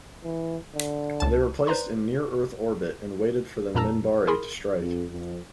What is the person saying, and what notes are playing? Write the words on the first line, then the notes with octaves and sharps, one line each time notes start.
They were placed in near-Earth orbit and waited for the Minbari to strike.
E3
D3
C#2 A5
B4 C5 D5 A#5 C6
F2 A#2 A#4 A5 A#5 E6
G#4 A#4 B5 C6 D#6
F2
F2